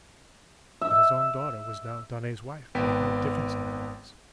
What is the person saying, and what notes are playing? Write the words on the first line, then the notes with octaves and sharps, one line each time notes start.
That his own daughter was now Darnay's wife made no difference in their eyes.
E5
G#1 B3 G5 B6